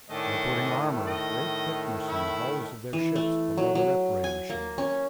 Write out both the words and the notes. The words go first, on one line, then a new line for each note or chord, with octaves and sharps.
They're putting armor of great thickness in the hulls of their ships below the rep-ray machines.
A2 D#3 A3 C#4 D4 D#5
D#5
E4 E6
E3
A3
F#3
F#3
G#5
A#3
C#4